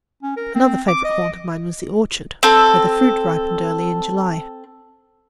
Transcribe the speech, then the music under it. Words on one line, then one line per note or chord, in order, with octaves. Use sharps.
Another favourite haunt of mine was the orchard, where the fruit ripened early in July.
C#4
A#4
C4
D6
D#5
C4 A4